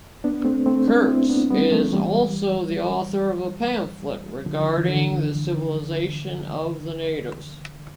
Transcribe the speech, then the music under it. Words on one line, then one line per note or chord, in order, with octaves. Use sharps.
Kurtz is also the author of a pamphlet regarding the civilization of the natives.
B3 D4
B3
A3 C4
A3 C4
B3 D4
C4 E4
B3 D4
G3 B3
F3 A3
E3 G3
D3 F3
E3
D3